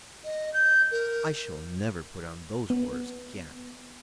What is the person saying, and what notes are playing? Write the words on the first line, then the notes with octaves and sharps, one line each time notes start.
I shall never put on those horrors again.
D#5
G6
A#4
B3